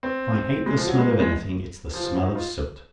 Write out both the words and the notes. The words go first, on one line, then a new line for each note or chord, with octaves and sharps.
If I hate the smell of anything, it's the smell of soot.
C4
G#3
F3
F#3
G#3
A#3
G#3
F3
F3
F#3
D#4
F4